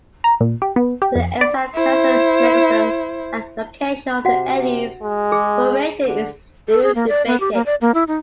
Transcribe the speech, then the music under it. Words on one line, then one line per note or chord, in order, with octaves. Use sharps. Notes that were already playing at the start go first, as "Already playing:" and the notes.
The exact causal mechanism, and location of the eddies formation is still debated.
A#5
A#2
G4
B3
G4
F2
D5
E4 C5
C3 F#4 F#5
G#3
G#4
D3
A4
G#4
A#3
D5
B3
G4
A#3
D5
A#3
E4
D#4